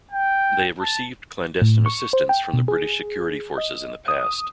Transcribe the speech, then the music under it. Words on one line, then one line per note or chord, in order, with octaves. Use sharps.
They have received clandestine assistance from the British security forces in the past.
G5
A5
A2
C#6
C5
G5
B2
G#4
D#5
D#6